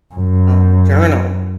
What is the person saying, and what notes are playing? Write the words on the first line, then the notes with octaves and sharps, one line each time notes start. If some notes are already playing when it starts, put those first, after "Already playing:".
um, journal.
F#2